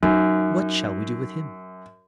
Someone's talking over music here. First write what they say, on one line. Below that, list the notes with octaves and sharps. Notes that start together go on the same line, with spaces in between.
"What shall we do with him?"
F#2 D#4